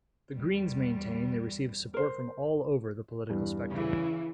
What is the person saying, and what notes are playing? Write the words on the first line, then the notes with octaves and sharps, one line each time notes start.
The Greens maintain they receive support from all over the political spectrum.
E2 G3
A#4 C5
E2 G2
C#3 E3